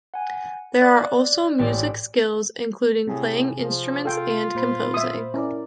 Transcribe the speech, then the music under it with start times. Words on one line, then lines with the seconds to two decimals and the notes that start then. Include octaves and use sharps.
There are also music skills, including Playing Instrument and Composing.
0.14 F#5 G#5
0.81 D5 F#6
1.59 A1 D5 G5
3.07 A2 C3 G#4
3.61 F3
4.05 F4 A4 G5
4.55 A#2 C5 B5
4.94 E5 D#6
5.34 C#4 E4 A#4 D5